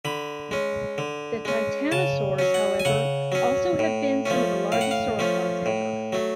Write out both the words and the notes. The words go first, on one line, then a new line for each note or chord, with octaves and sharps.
The titanosaurs, however, have also been some of the largest sauropods ever.
D3 B5
G#3 C#4
D3
G#3 C#4
C#3 A5
F#3 C#4
F#5
G#5
C#3 F#5
F#3 C#4
A2
F3 A3 C#4
A2 F5
F#5
F5
F3 A3 C#4
A2
F#3 A3